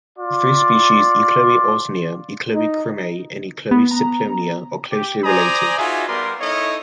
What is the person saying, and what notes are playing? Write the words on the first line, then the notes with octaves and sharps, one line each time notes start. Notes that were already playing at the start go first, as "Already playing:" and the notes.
The three species "Euchloe ausonia", "Euchloe crameri" and "Euchloe simplonia" are closely related.
F4 D5
D#4
B3
A#5
G4
C5 D5 G#5 A#5 D#6
D#4 F4 F#4 G#4 E5
G3 B3 A#4 D5 C6
D#4 E4 A4 C#5 D#5